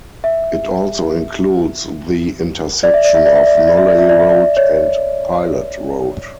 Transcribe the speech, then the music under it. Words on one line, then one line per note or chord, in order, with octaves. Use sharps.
It also includes the intersection of Nolley Road and Pilot Road.
E5
D5
E5
D5
E5
D5
E5
D5
E5
D5
E5
D5
E5
D5
E5
D5
C#5